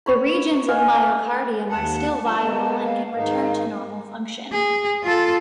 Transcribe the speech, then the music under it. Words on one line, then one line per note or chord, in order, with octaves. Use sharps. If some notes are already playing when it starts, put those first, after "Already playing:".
The regions of myocardium are still viable and can return to normal function.
C#5 B5
D#5 F5 F#5 G#5
D#2 F#5 A5
G2 F3 A5
G#3 A#3 B3
F5
G#2 D#3 D#4
G#4
F4 A4